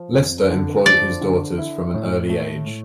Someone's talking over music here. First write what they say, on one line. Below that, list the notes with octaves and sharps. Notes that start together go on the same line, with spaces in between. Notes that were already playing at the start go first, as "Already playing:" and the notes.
Lister employed his daughters from an early age.
Already playing: F3
F2
D3
F3 D5
D3
E4
A2
A3
A2